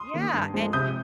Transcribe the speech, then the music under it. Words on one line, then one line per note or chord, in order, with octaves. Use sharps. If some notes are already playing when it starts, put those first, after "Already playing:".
Yeah, and
Already playing: C6 D#6
D#3 A#3
G2
F3 G#3
C3 D#6 G6